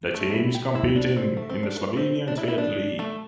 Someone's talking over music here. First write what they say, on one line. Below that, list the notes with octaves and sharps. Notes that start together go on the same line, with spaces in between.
The team is competing in the Slovenian Third League.
A3
D4
E4
G4
E4
D4
C4
A3
C4
D4
A3
C4
D4
E4
E4
D4
A3